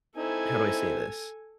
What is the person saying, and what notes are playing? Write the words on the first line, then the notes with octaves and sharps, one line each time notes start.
how do I say this?
C4 D#4 E4 A4 G#5